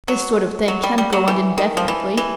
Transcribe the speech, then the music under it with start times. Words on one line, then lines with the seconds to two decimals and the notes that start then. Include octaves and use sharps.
This sort of thing can't go on indefinitely.
0.08 F#3
0.68 F#3
0.84 G3
0.98 G3
1.13 F#3
1.28 E3
1.58 D#3
1.77 F3
1.88 E3
2.17 E3